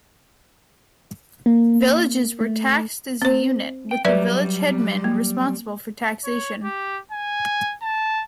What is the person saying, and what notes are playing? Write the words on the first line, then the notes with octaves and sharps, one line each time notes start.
Villages were taxed as a unit, with the village headman responsible for taxation.
A#3
A3
C4 C5
G5
F#3 G3 B4 D5 E5
A#3
C#5
G4
G#5
A5